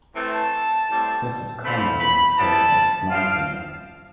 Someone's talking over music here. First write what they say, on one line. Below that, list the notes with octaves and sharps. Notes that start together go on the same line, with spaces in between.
This is commonly referred to as sniping.
A2 E3 A3 C4 A5
A2 G3 C4
D3 F3 A3 C4 B5
B5
E3 G3 B3 E4 A5
F3 C4 F4 F5